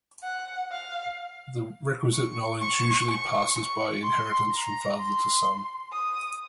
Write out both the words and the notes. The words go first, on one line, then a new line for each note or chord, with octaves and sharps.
The requisite knowledge usually passes by inheritance from father to son.
F#5
F5
C#6
C#6
C#6
C#6
C6
A#5
C6
D#6